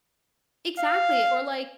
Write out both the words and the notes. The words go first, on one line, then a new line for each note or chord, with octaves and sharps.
Exactly, or, like
F5